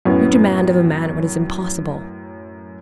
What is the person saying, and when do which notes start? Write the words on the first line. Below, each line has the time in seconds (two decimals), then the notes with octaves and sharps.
You demand of a man what is impossible.
0.05 F#2 A2 B3 C#4